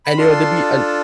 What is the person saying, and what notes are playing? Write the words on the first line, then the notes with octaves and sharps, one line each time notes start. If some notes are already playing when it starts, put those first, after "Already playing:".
and, you know, to be an
B5
D4 F4 A4 C6